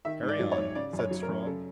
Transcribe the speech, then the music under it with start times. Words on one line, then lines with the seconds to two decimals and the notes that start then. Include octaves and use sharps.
"Carry on," said Strong.
0.05 D#3 E5
0.23 G#2
0.29 D5
0.40 F#3
0.52 C#5
0.58 G#2
0.75 C#3 D5
0.93 F#2
0.99 C#5
1.11 F#3
1.23 A#4
1.28 F#2
1.46 C#3 A4